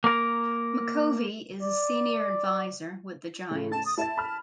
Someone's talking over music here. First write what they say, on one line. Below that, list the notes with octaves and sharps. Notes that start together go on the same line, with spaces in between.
McCovey is a senior advisor with the Giants.
A#3 A#4
D5
A2 C#3 A3
A5 A6
D#6
E4 A5 A6
B5 F6